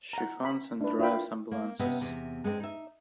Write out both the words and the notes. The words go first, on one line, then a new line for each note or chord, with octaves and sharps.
She funds and drives ambulances.
F#5 A#5
B5
D4 B4
E4 F4 B4 G5 B5
A#3
C3 B3 C#4 D#5 E5
E2 C3
G#3 A3 B3 C4 D4
D#4 E5